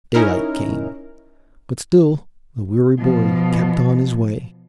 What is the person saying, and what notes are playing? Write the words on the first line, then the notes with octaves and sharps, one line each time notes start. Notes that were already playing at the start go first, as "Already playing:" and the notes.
Daylight came, but still the weary boy kept on his way.
C#4 D#4 E4 A#4
B2 F3